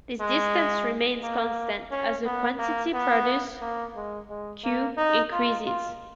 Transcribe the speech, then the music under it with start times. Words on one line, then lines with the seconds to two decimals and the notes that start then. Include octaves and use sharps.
This distance remains constant as the quantity produced, Q, increases.
0.20 G#3
1.22 A#3
1.91 C#4
2.25 B3
2.59 A#3
2.94 B3
3.61 A#3
3.96 G#3
4.30 G#3
4.64 A#3
4.97 D#4
5.32 F4
5.66 F4